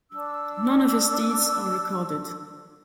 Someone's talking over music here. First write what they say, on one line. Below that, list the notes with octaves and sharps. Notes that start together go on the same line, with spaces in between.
None of his deeds are recorded.
D4 E6